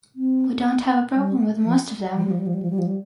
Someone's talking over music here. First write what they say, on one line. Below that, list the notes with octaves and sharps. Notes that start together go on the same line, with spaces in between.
We don't have a problem with most of them.
C4
G3
F3
F3
G3
F3
G3
F3
G3
F3
G3
F3
G3